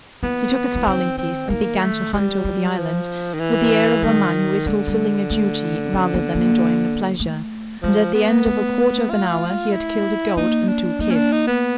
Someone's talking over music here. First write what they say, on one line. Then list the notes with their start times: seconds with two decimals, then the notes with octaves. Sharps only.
He took his fowling-piece, and began to hunt over the island with the air of a man who is fulfilling a duty, rather than enjoying a pleasure; and at the end of a quarter of an hour he had killed a goat and two kids.
0.23 E3 B3
0.75 E3
0.86 D#3 C4
1.18 C4
1.50 D#3 A#3
1.81 A3
2.13 E3 G3
2.45 F#3
2.77 F3
3.34 D#3
3.40 E3
4.03 D#3 G3
4.66 D3 G#3
4.88 G3
5.30 A3
5.93 C#4
6.14 B3
6.35 A#3
7.20 A3
7.83 F3 G#3
8.14 B3
8.46 A3
9.10 F4
9.73 E4
10.37 A#3 D#4
10.68 D4
10.99 A#3 D#4
11.10 C#4
11.15 D4
11.32 D#4
11.47 B3